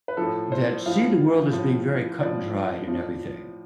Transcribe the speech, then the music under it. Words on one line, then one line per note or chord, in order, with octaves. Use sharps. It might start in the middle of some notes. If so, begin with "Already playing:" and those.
that see the world as being very cut-and-dried and everything,
B4
A2 F3 A4
C5
A2 F3 F5
A2 F3
A2 F3 D5
A2 F3